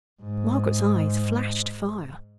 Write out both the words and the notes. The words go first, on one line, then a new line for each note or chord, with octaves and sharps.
Margaret's eyes flashed fire.
G#2